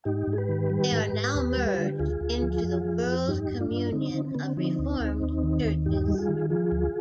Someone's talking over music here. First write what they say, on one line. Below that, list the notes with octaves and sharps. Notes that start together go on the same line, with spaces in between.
They are now merged into the World Communion of Reformed Churches.
G#2 D#4 G4
G#2
G#4
G4 B4
D#3
G3
G#2
G#2
D#2
G3
D3 F4
G4
D2 F4 G#4
D2
F3
F2
F3
F2
G2 D#4 G4
G2
D4 F4
G2
D3 C4 D#4
D3
C4
D3 B3
C4
F3 C4 D#4
D2
D2
D#2
D#3
D#2
G2 D#4 G4
G3
G4
F4 G#4
D#3
F3 F4 G#4
D2